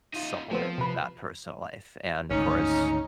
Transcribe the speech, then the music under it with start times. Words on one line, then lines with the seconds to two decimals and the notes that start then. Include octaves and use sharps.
supplement that personal life. And, of course
0.14 D#4 F4
0.51 F3 A3 B3 C4
0.78 C3 B4
2.31 G#1 D2 C#4 D#4